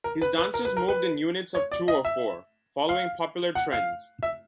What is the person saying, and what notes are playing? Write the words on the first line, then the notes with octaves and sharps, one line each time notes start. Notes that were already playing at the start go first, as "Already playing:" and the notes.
His dancers moved in units of two or four, following popular trends.
A#4
B4
B4
A#4
B4
A#4
B4
C#5
D5
D#5
E5
F5
F#5
F5
E5